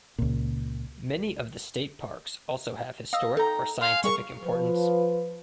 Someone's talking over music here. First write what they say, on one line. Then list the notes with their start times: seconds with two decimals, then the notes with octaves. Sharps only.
Many of the state parks also have historic or scientific importance.
0.18 C#2 A#2
3.13 D#5 F5 E6
3.37 D#4 A4 G5 A#5
3.81 F5 G#5 C6
4.04 G3 G#4 A#4 C#6
4.43 F3 B4